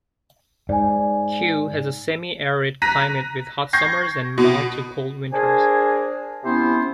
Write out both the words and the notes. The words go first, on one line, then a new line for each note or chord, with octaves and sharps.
Cue has a semi-arid climate with hot summers and mild to cool winters.
G#2 D5 G#5
A#5 F#6 A#6 B6 D#7
C#6 G6 G#6 A#6 C7
B2
D4 G#4 A#4 C5 G#5
C3 B3 C#4 E4 C5